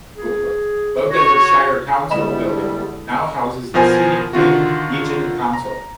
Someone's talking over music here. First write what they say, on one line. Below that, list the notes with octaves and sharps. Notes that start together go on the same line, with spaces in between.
Beaudesert Shire Council building now houses the Scenic Rim Region Council.
G#4
F#4 C#5
E2 D3 G3 G#3 E4 D#5 B5 E7
A4
B2 F3 A#4 C5 G#5
D3 D#3 F4 F#4
A#5